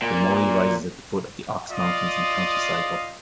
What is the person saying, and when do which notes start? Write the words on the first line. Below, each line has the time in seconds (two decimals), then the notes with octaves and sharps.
The Moy rises at the foot of the Ox Mountains in County Sligo.
0.02 A#2
1.72 F4 D5 D#5 F5 C6 D#6